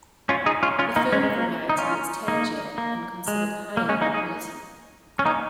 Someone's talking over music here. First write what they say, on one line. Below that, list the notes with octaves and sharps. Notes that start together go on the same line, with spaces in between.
The firm variety is tangier and considered higher in quality.
C#4 F4
D#4 G#4
C#4 F4
C#4 F4
A#3 D#4
G#3 C#4
G#3
A#3
D#4
C#4 F4
A#3 D#4
A#3
G#3
A#3
G#3 C#4
A#3 D#4
D#4 G#4
C#4
A#3 D#4